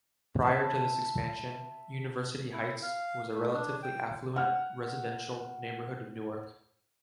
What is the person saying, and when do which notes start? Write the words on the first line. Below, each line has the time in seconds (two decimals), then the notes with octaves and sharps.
Prior to this expansion, University Heights was a relatively affluent residential neighborhood of Newark.
0.41 E5 A5 B5
2.53 E4
2.82 F5
3.34 A3
3.53 D4
3.83 G5
4.36 F#5 F6